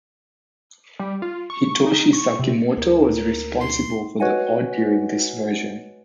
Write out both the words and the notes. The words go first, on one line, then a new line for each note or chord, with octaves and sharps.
Hitoshi Sakimoto was responsible for the audio in this version.
G3
F4
C#6
D#4
C#6
C3
D2 A#4
C6
F#4 B4 C#5 D#5 F#5 G#5